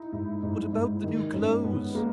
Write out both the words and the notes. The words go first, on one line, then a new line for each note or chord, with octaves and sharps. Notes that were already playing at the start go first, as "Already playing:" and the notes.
"What about the new clothes?"
Already playing: D#4 E4
G#2 E4
G#2
G#2
D#3
G#2 C#4
G#2 B3
G#3 A#3